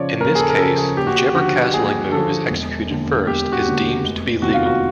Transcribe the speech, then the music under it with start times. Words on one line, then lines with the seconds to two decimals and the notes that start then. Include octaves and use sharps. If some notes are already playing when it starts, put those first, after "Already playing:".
In this case, whichever castling move is executed first is deemed to be legal.
Already playing: C#3 F3 C#5 D5
0.20 D#2 A#4
0.35 G#4
0.39 A4
0.50 A#4
0.58 C#3 A4
0.62 F3
0.78 G#4
0.97 D#2 G4
1.07 F#4
1.16 G4
1.35 D3 F3 F#4
1.74 D#2 G#4
2.12 D3 F3 A4
2.50 E1
2.89 D#2 D3
3.27 E1 G4
3.52 F#4
3.65 D#2 D3
4.03 F1
4.41 E2 C3 D#3 F#4
4.54 F4
4.66 F#4